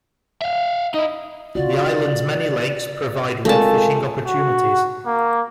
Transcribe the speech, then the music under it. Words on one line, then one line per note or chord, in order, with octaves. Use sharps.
The island's many lakes provide rod fishing opportunities.
E5 F5
D#4 E4 D#5
C#3 F4 F#4 D5
G#3 A3 C4 F4 A#4 F5 G#5 A5
F#4
A#3